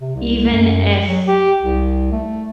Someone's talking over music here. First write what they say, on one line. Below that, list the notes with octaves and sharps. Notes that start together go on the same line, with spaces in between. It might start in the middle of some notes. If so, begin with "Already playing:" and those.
even if
C3
C2
F#2
F#3
G4
C2
A3